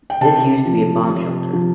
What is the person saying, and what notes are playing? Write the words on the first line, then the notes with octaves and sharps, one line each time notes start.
This used to be a bomb shelter.
G5
C3 A5
F3
C3
F3